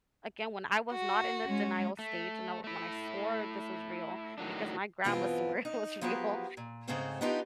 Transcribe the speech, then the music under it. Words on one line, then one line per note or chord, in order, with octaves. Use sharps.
again, when I was not in the denial stage, when I when I swore this was real, because my grandma swore it was real,
F#4
G#3 C#4
A3
A3 E4
A2 D#3 F#3 D4
G2 B2 E3 B3 C4 F4
D#4
F3 F#3 B3 G4 G#4 A#4
A#2
G#2 C#3 A3 C4 C#4 C5
B3 D4 D#4 F4 G4